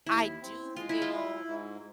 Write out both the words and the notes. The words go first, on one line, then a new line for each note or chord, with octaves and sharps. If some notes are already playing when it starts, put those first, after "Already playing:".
I do feel
D#2 E4
C4
G#3 F4
E4
F4
E4
G#2